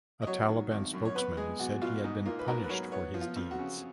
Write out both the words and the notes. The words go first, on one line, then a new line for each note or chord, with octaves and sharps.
A Taliban spokesman said he had been "punished for his deeds".
D#5
F#3 C#5
D#3
G#1
F#2
C#5
B3 B4
G#3 G#4
B1 F#4
B2 F4
G#2 D#4
A#3 F4
B4
G#2 A#4
B4
F#3 C#5
B3 C#5
F3
F4
F2
F#4
C#3